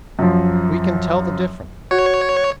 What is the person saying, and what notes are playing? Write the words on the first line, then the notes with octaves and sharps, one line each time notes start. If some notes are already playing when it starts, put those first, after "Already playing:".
We can tell the difference.
F#2 F3
F#4 C#5